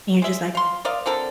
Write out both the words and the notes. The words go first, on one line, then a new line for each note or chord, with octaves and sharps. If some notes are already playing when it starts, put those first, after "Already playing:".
And you're just like,
G#3 E5
F5 C6
A#4 D5 D#5 F5
D3 C4 A4 A#4